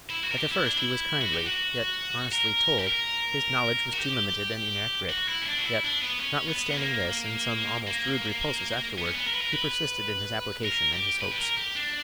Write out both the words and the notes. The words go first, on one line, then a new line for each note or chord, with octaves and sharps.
At the first, he was kindly, yet honestly told, his knowledge was too limited and inaccurate; yet, notwithstanding this, and some almost rude repulses afterward, he persisted in his application and his hopes.
E4
F#4
A#4
G4
E4
D4
E4
F#4
G4
F#4
A#4
G4
A#4
F#4
G4
F#4
E4
C#4
D4
F#4
E4
D4
B3
C#4
B3
B3
A#3
A#3
B3
C#4
B3
A#4
B4
A#4
B4
A#4
G4
B4
G4
A#4
G4
D4